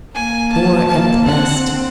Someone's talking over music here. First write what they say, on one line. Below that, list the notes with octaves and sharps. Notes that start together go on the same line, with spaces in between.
Poor at the best...
A#3 G#5
A5
A#3 A5
C4 F#5